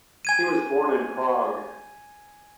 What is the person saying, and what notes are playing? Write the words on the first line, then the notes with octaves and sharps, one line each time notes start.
He was born in Prague.
G#5 G#6 D#7